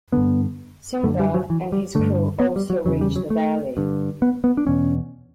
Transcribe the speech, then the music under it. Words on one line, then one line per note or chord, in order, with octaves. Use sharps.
Sinbad and his crew also reach the valley.
G2 D3 B3
F#2 D3 A3
G3
F#3
E3
G3
G2 D3 A3
B3
G3
F#3
E2 C#3 F#3
G3
F#3
A3
G2 D3
B3
B3
D4
E2 B2 C#4